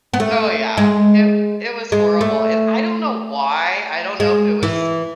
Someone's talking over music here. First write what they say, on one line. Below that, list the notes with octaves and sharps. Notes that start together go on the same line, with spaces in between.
Oh yeah, it it was horrible, and I don't know why, I don't know if it was,
B3
A3
G#3
G#3
A3
G#3
E3